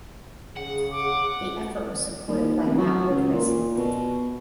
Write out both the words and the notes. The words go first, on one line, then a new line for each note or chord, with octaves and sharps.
The effort was supported by Matt Wood Racing.
C#3 G#4 F#5
D6
D#2
F1
F#3
C#2
A#2
B2